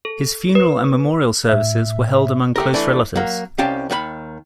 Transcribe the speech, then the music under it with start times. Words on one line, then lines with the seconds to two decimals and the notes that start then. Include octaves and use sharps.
His funeral and memorial services were held among close relatives.
0.05 A4
0.55 B4
1.49 A2 E5
2.56 A3 G4 A#4
2.74 E3 A3 D4
3.15 F#3 A#3
3.58 C2 C#4 G4 F5 G5 A5
3.90 D#2 D#3 B4 B5